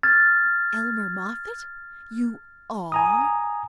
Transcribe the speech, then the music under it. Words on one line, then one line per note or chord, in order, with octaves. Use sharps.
"Elmer Moffatt--you ARE?"
F6 G#6 A6
G#5 A#5 D#6